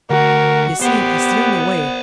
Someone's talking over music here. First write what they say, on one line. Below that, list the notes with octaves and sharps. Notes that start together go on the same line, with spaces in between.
You see it's the only way.
D2 F#4 A#4
B3 G4 A#4 C5